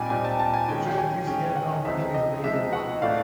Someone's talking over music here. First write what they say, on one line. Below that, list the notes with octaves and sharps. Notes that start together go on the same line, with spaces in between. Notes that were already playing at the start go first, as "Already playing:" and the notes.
The charity's head office is based in London.
Already playing: A#2 G3 C4 D#4 G5 G#5
A#2 G3 C4 D#4 G#5
A5
A5
G#5
D#3 G#3 C#4 G5
G#5
D#3 G#3 C#4 G5
F#5
F3 G#3 C4 D#4 E5
D#5
F3 G#3 C4 D#4 E5
F#5
A2 E3 A3 D4 F5